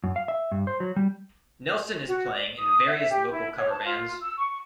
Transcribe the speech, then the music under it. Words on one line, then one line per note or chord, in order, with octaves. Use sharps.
Nelson is playing in various local cover bands.
F#2
F5
E5
G2
C5
F#3
G3
F#4
D5
D#6
E5
G4
E4
C#5
A5
F4
E6
C#6